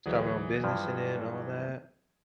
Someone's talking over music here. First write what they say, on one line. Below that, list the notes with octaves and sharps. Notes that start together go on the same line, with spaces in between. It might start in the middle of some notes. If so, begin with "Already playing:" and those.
Start my own business in it and all that.
D2 E3 F#3 G#4
G2 F3